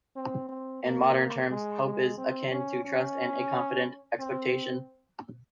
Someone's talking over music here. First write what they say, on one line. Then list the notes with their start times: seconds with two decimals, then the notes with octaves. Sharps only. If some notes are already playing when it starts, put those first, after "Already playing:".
In modern terms, hope is akin to trust and a confident expectation.
0.16 C4
0.49 C4
0.83 A#3
1.50 G#3
1.85 G#3
2.18 C4
2.51 C#4
2.85 C#4
4.19 C4